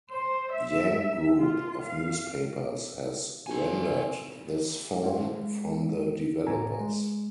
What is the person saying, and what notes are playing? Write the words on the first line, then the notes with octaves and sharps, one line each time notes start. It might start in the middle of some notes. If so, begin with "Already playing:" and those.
Jang Group of Newspapers has rendered this font from the developers.
C5
E5
F4
F5
C4 G#5
A3 C#4 E4 C5
G#3
C#2 A2 G#5 A#5
G#3